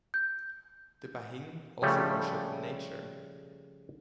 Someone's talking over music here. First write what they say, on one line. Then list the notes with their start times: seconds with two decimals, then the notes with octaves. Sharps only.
The Bahing also worship in Nature.
0.14 G6
1.82 C#3 F3 G3 A3